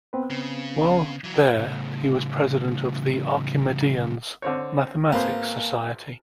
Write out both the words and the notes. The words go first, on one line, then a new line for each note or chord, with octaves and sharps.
While there he was president of The Archimedeans mathematics society.
B3 C4 B4
C#3
E3 F#3
A2 C#3
D3 C4 C#5
G#1 A#3 B3 C5